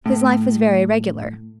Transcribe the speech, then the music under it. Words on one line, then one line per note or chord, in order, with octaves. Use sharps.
His life was very regular.
A2